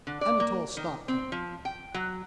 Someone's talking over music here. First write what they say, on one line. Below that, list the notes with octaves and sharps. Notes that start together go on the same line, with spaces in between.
Anatole stopped him.
D3
D5
A#3
D#3
C4
F3
G5
F#3